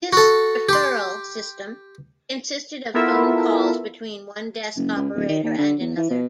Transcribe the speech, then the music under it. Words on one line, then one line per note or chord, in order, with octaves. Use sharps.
This "referral system" consisted of phone calls between one desk operator and another.
F#4 A4
G4 C6
B3 E4 F4 A4 A#4 E5
F#1
C#2
D1
D#3
D#2
D3
E2
E3
B2